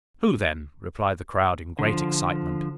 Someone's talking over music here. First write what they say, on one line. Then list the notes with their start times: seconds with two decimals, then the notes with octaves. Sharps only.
"Who, then?" replied the crowd in great excitement.
1.79 D3 F3